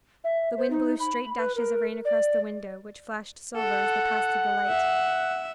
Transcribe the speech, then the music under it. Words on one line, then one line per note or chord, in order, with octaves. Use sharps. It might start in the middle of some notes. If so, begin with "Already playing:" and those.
The wind blew straight dashes of rain across the window, which flashed silver as they passed through the light.
E5
C5
D#4
B5
B4
A#4
D5
A4 F#5
E5